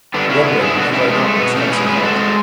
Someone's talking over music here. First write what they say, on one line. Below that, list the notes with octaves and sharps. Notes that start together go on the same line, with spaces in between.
Romarin had thrown up his handsome head.
D3 B3 D4
C#4 E4
D3 B3
E4 G#4
B2 D4 F#4
C#4 E4
G#3 A3
A3
B2 B3
A3 C#4
G#3 G#4 B4
G#4 B4
G#3 F#4 A4